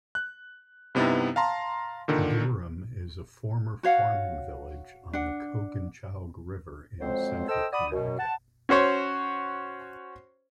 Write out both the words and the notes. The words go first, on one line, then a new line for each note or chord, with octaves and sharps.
Durham is a former farming village on the Coginchaug River in central Connecticut.
F#6
G2 C3 B3 D#4 E4 A6
F5 A5 A#5 C6
A#2 D3 D#3
F#4 C#5 F5 F#5
D4 F#5
F2 F#3 G#3 C4 C5
A4 C5 D#5 G5 E6
D5 F#5 B5 D#6
F#2 B2
F#5 A5
C#4 F#4 C5 C#5